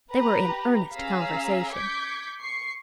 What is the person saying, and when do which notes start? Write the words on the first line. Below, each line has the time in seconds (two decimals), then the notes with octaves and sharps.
They were in earnest conversation.
0.12 G4 B4 A#5
0.93 C#4 G#4 F5 A#5 E6 B6
1.73 D6 G6 G#6 B6 C#7
2.40 C#6 C7